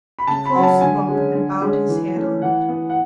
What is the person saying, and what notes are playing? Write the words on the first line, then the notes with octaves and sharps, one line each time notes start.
He closed the book and bowed his head on it.
B5
C#3 A5
B5
F#3 C#4
A5
D3 G#5
G#3 C#4
D3
G#3 C#4
E3
A3 C#4
E3 F#5
B3
F#5